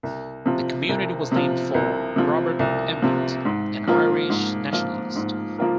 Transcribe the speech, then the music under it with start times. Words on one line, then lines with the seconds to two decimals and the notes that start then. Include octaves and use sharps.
The community was named for Robert Emmet, an Irish nationalist.
0.03 C2
0.46 C3 F3
0.89 C2
1.32 C3 F3
1.74 C2
2.16 C3 F3
2.59 C2
3.02 C3 F3
3.45 G#2
3.87 F3 A#3 F4 A#4
4.30 G#2
4.73 F3 A#3 F4 A#4
5.16 G#2
5.58 F3 A#3 F4 A#4